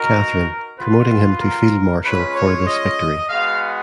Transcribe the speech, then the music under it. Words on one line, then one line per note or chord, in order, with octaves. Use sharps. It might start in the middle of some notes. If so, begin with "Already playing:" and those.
Catherine, promoting him to Field Marshal for this victory.
Already playing: B3 D#4 F#4 A#4
B3 F4 B4
A#4
G#3 C#4 F4 B4
C#5
D#5
G#3 B3 F#4 F5